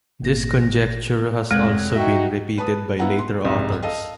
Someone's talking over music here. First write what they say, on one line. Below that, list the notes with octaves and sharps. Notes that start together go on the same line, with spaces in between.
This conjecture has also been repeated by later authors.
G#1 A#2 A#6
F1 G#3 F#6 G#6 A#6
D#4 F#4 E5 G5
B4 A5 D#6
B3 E4 F5 F#5 A#5
C6
C2 F2 G#2
A4 D#5 F5